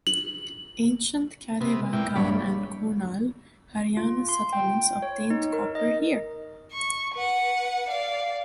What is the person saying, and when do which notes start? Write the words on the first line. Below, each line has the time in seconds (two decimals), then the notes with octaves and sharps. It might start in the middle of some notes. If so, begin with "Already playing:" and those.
Ancient Kalibangan and Kunal, Haryana settlements obtained copper here.
0.07 F#7
1.61 C3 B3
1.93 A#2 E4 G5
2.16 A#1 G2 C#5 D5 B5
3.97 F4
4.29 C6
4.53 G5
5.02 C#5
5.30 D#4
5.53 A#4
5.75 D#5
6.73 C#6
7.15 B4 F#5
7.89 D5 F5